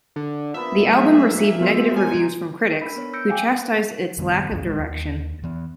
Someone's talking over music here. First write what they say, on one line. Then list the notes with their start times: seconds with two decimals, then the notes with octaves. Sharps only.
The album received negative reviews from critics, who chastised its lack of direction.
0.16 D3
0.54 F3 A#3 B3 E5
0.89 F#3 G#3 A3 C4 G#4 A#4
1.30 A#2
1.61 G#3 B3 D#4 F4 F#4 A#4 C5
1.96 G#5
2.81 D4 A#4 B5 B6
2.96 B3 C#5
3.13 E6 G6 A#6 C#7 D7
3.29 F5 G5 G#5 D6
4.18 F#2 D#3 G3 B3
4.51 C2 F#2 C#4
4.64 A1 G#3
4.79 D#2
5.43 E3 B3